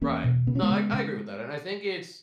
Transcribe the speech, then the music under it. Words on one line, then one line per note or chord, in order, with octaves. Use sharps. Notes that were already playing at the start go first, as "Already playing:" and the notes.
Right. No, I I agree with that, and I think it's
E2 A#3 C#4
B2
C#3 B3
C#4
G#3 B3
C#3
C#3